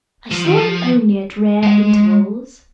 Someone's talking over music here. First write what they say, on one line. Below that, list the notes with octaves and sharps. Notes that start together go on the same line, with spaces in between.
I saw him only at rare intervals.
F3
D#3
F3
G#3